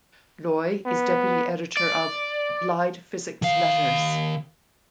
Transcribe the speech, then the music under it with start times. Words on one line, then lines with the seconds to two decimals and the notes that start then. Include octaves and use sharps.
Loi is Deputy Editor of "Applied Physics Letters".
0.85 B3
1.77 D5
3.42 D#3 F5